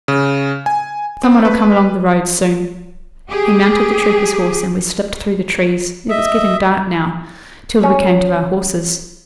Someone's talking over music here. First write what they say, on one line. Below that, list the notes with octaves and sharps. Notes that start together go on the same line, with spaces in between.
Some one'll come along the road soon.' He mounted the trooper's horse, and we slipped through the trees--it was getting dark now--till we came to our horses.
C#3
G#5
C4
B4
G4 G#4
D#5 E5
C#4